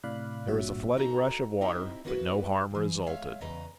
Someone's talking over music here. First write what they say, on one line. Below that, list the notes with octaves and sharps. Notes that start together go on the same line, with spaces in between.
There was a flooding rush of water, but no harm resulted.
A2 C3 D5 F5 B5 F#6
G#1 G2 A#2 F#4 C#5 E5
D#4 F#4 A4 A#5
C4 D#4 E4 G4 D#5
A#3 B3 E4 F#4 A4 B4
D#2 E3
G#3 C#5 E5 F5
E2 C#3 B4 D#5 A#5